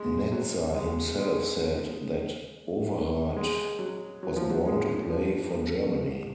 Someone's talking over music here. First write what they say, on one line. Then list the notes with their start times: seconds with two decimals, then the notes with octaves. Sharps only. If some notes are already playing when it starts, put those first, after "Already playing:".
Netzer himself said that Overath "was born to play for Germany".
Already playing: G#3
0.32 F#3
0.75 G#3
1.19 G#3
3.36 G#3
3.79 F#3
4.23 F#3
4.36 F3
4.50 F#3
4.66 G#3
5.10 F3